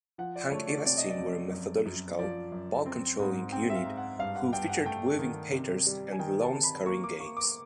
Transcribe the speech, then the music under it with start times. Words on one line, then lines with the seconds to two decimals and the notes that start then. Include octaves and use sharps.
Hank Iba's teams were methodical, ball-controlling units who featured weaving patterns and low-scoring games.
0.18 F3 F#5
0.36 D5
0.52 A3 C#5
0.69 D5
0.85 C3 D5
0.98 D#5
1.10 D5
1.19 F2
1.52 F#2
1.86 F#2
2.19 F3 D5
2.52 F#2
2.86 C4
3.19 G#2
3.52 C4 G5
3.70 E5
3.75 F5
3.85 G#2
3.97 F#5
4.19 G2 F5
4.36 F#5
4.53 G2 G5
4.69 F#5
4.86 A3 G5
5.19 D#3
5.52 C3
5.86 G3
6.12 G#5
6.19 D#3 G5
6.42 A5
6.53 C3
6.64 B5
6.86 A#3 C#6
7.04 D6
7.19 A#3 C#6
7.37 D6